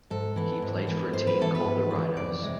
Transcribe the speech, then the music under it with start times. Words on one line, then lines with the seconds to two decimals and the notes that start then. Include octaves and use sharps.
They played for a team called The Rhinos.
0.10 G#2 A4
0.36 E3 B3
0.62 G#2
0.87 E3 B3
1.13 G#2 C5
1.27 B4
1.39 E3 B3 A4
1.55 B4
1.65 G#2
1.91 E3 B3
2.17 F2 D5
2.42 C3 G#3